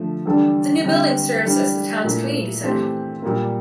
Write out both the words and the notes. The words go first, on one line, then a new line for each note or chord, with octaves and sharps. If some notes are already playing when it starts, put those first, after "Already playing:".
The new building serves as the town's community center.
Already playing: D3 F3 A3
E2 D3 G3 D4 A4
D3 G3 C4
E3 G3 D4
A#2 A3 E4
E3 A3 C4 G4 C5
A#2 G3 A#3